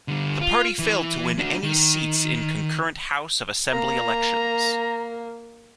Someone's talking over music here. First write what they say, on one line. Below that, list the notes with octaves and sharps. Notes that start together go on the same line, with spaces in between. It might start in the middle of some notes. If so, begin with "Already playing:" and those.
The party failed to win any seats in concurrent House of Assembly elections.
D3 G3
F4
E3
D4 F#4
D#3
A#3 A#5